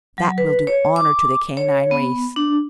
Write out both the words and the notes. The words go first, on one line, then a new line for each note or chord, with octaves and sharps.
That will do honor to the canine race!
F#3
B4
C#5
D6
C#5
B3
D4